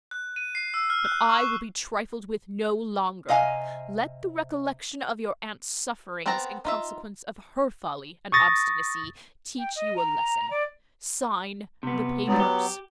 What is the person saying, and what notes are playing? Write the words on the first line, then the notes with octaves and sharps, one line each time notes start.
But I will be trifled with no longer: let the recollection of your aunt's sufferings, in consequence of her folly and obstinacy, teach you a lesson.--Sign the papers.'
F#6
D#7
C7
E6
F6
F#6
C#6
C3 D#5 F5 G#5
B3 C4 A#4 A5 A#5
D#4 F4 E5
C#6 D#6 A6 A#6
G5
D#5
A#5
D5
C3 B3
G#2 F#3 G3 B3
G4